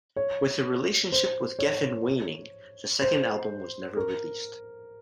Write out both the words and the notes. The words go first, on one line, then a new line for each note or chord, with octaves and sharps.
With their relationship with Geffen waining, the second album was never released.
C#5
C5
C#5
C5
A#4